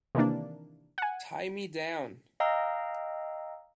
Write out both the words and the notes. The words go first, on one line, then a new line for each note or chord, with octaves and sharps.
Tie Me Down!
C3 D#3 E3 A#3 D4
F#5 G#5
D#5 F5 G5 A#5 E6